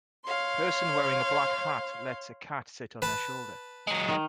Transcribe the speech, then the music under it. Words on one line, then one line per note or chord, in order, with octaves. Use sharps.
Person wearing a black hat lets a cat sit on their shoulder.
C#5 F5 C6
B4 A5
F#3 G#3
D#3